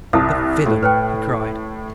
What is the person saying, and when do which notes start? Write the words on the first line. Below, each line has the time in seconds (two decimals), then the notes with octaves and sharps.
"The villain!" he cried.
0.13 C2 A5 D#6
0.66 A2
0.83 B4 C5 G5